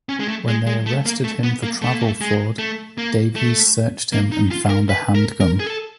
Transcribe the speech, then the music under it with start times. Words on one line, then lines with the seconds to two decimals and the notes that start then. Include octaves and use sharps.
When they arrested him for travel fraud, Davies searched him and found a handgun.
0.09 C#4
0.20 G#3
0.28 A3
0.48 G#3
0.66 G#3
0.86 A3
1.06 A#3
1.24 A3
1.43 B3
1.62 A#3
1.82 A3
1.94 A#3
2.05 A3
2.21 G#3
2.58 A3
2.98 A#3
3.35 A3
4.12 A#3
4.32 D#4
4.51 F4
4.69 A#4
4.89 B4
5.15 A#4
5.40 A#4
5.60 G#4
5.67 A4